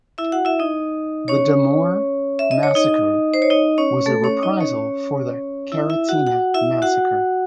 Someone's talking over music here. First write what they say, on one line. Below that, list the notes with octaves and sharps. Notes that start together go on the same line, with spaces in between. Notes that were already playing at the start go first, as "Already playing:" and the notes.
The Damour massacre was a reprisal for the Karantina massacre.
E4 E5
F#4 F#5
E4 E5
D#4 D#5
C#4 C#5
E5
D#5
C#5
D#4 D#5
C5
C#5
D#4 D#5
C#4 C#5
A3 A4
C#4 C#5
D#4 D#5
C#4 C#5
E4 E5
E4 E5
F#4 F#5
F#4 F#5
E4 E5
F#4 F#5